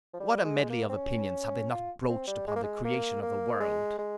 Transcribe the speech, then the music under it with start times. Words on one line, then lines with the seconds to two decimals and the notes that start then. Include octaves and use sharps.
What a medly of opinions have they not broached upon the creation of the world?
0.14 F3
0.20 G3
0.45 G#3
0.70 A#3
0.89 C4
0.96 C#4
1.71 F4
2.09 C4
2.27 G3
2.48 G#3
2.56 A#3
2.64 G#3
2.85 A#3
3.23 A#3
3.60 G#3
3.98 G#3